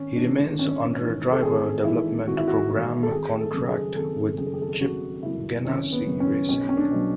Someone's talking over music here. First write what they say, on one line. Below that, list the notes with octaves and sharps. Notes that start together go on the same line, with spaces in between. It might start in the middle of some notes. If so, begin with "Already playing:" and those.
He remains under a driver development program contract with Chip Ganassi Racing.
Already playing: G#1 C#4
G#2 E3 D4
G#1 C#4
G#2 E3
A4
G#1 G#4
G#2 E3 E4
G#1 F#4
E4
F#4
G#2 E3 F#4
A4
G#1 G#4
A4
F#2 C#3
G#4
G#1 A4
A4
F#2 C#3 G#4
A4
G#4
A4
G#4
G#1 F#4
F#2 C#3 E4
G#1 C#4
B3
F#2 C#3
C#4
B1 C#4
C#4
D4
B2
F#3